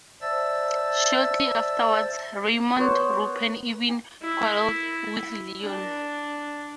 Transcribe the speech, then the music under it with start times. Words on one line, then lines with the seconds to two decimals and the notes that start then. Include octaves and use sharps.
Shortly afterwards, Raymond-Roupen even quarreled with Leon.
0.22 C5 D5 E5 A5 E6 A6
2.78 B3 C5 C#5
4.23 E4
5.62 D4